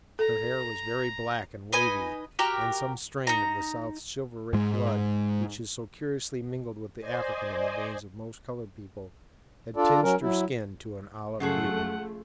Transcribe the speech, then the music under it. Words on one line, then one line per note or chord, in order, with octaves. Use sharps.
Her hair was very black and wavy, and some strain of the South's chivalric blood, which is so curiously mingled with the African in the veins of most coloured people, had tinged her skin to an olive hue.
A4 A#5
D#4 B4 D#5 G#5
F#4 G4 A#4 G5
D#4 A#5
G#2 G#3
C5 D5 D#5 G#5
D4 F4 A4 D5
F#3 C#4 A#4
F#3 E4
F#2 C#3 F3 A3 G#4 F#5